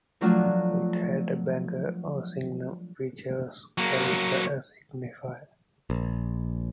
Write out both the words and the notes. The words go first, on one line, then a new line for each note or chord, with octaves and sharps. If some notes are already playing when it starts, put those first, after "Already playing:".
It had a banner or signum which was carried by a" Signifer".
F3 F#3 A3 D4 F4 F#4
F#3 A#3
A#1